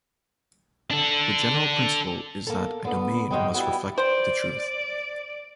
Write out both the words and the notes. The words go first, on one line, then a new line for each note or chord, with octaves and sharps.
The general principle is that a domain must reflect the truth.
D4 A4
A#3 A4
D3 B3
E2 G#2 G#3 F#4 D#5 G5
G3 B3 E4 F#4
C5 D5